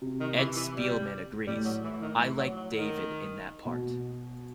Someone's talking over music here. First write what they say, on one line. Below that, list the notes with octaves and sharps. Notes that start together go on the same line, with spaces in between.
Ed Spielman agrees: I liked David in the part.
C3
D#3
E3
E3
G3
A2 G3
F#3
E3
D#3
E3
F#3
F#3
D#3
B2